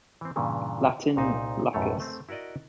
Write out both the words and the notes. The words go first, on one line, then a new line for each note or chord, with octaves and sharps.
Latin "lacus".
E3 C4
G2 A#2 C#3 E3
C2 A#2 D#4 C5
B1 F#2 A2 A3 C#5
A3 C4
E4 F#4 A#4 D5 D#5